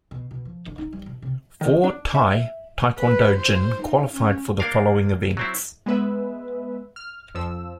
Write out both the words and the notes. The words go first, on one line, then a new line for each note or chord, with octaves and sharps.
Four Thai taekwondo jin qualified for the following events.
B2
B2
F3
D3
D#4
G3
B2
C3
D#3
D4
E5
B4
C5
D#4
C#4
A#3 D4 A#4 F5
F#3 C4 E4
G#3 B3 B4 E5
F6
F2 F3 E6